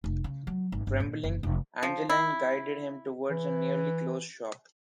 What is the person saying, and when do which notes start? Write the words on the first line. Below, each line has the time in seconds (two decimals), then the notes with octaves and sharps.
Trembling, Angeline guided him towards a nearly closed shop.
0.04 F1
0.24 C#3
0.47 F#3
0.72 G#1
0.87 G1
1.00 A#2
1.23 F#1
1.43 F1
1.83 F3
2.09 E4
3.30 E3